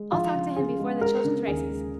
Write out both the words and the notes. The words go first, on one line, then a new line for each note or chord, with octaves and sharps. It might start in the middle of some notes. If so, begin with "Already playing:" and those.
I'll talk to him before the children's races.
Already playing: G#3
F3 F4
C#3
C#3 G#4
G#3
G#3 A#4
C#3
D#2 G#4
G#3